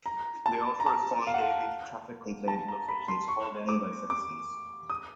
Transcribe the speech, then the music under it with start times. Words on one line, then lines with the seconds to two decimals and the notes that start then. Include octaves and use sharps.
They also respond daily to traffic complaint locations called in by citizens.
0.06 A#5
0.46 A5
0.80 A#5
0.86 A5
1.27 F5
1.34 F#5
1.41 F5
2.48 A5
2.68 A#5
2.88 B5
3.08 C6
3.28 C#6
3.69 D6
4.10 D6
4.90 D#6